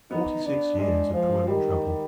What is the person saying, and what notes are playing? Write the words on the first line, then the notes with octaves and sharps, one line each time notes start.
Forty-six years of toil and trouble!
B3 D#4
D4
G#3 D4
F3
D#3 G3